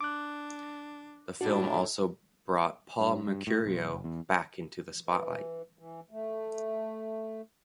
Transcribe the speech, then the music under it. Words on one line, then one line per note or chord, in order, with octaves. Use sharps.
The film also brought Paul Mercurio back into the spotlight.
D4 D6 F#6
A2 D4 F#4
G2
G2
A2
B1
F#1
E2
E3
E3
A3